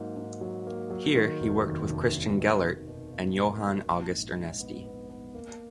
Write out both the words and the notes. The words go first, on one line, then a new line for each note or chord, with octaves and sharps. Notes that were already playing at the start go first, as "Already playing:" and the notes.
Here he worked with Christian Gellert and Johann August Ernesti.
Already playing: G#2 F#3 A#3
G#2
F#3
A#3
F#3
D#3
F1
D#2
F1
D#3
B2
B2
B2
A#3
B2
B2
A#1
G#2
G#2
B3
B3
B3
A#3